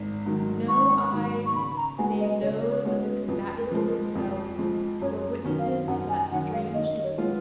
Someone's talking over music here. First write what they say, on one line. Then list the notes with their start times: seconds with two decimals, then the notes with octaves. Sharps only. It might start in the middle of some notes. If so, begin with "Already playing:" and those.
No eyes--save those of the combatants themselves--were witnesses to that strange duel.
Already playing: G#1
0.26 G#2 D#3 F#3
0.68 G#1 C#6
1.12 G#2 D#3 F#3
1.46 C#6
1.55 C#3 B5
1.77 A#5
1.98 G#3 B3 F#4 G#5
2.20 D#5
2.42 C#3 C#5
2.70 C#5
2.85 G#3 B3 F#4
3.00 B4
3.28 F2 B4
3.57 A#4
3.66 B4
3.71 F3 G#3 A#4
3.86 A#4
4.15 F2
4.58 F3 G#3
5.01 F#2 C#5
5.44 D#3 F#3 C#4
5.59 F5
5.88 F#2 F#5
6.09 G#5
6.31 D#3 F#3 C#4 F#5
6.53 F5
6.74 D#3 D#5
7.03 C#5
7.18 G#3 B3 F4